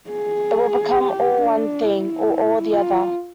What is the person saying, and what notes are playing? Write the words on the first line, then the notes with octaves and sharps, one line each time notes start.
It will become all one thing, or all the other.
G#4
G4
D4
E4
F4